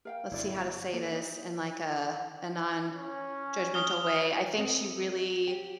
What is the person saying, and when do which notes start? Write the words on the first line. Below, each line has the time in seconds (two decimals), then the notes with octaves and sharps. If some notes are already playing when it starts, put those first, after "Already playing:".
let's see how to say this in, like, a a nonjudgmental way. I think she really,
0.05 A#4 F5 G5
0.31 G1 G2 A#2 E4 D5
0.94 A#3 A4
1.12 D#4
2.95 C#4
3.74 D#6 F6 G7
4.58 C4 A4 D#5
5.48 G4